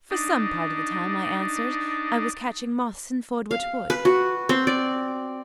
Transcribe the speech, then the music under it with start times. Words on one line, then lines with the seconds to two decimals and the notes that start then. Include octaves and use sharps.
"For some part of the time," I answered, "I was catching moths in Fordwitch Wood."
0.11 D4 D#4
3.51 F5
3.90 B4
4.05 F#4
4.49 C4
4.67 D5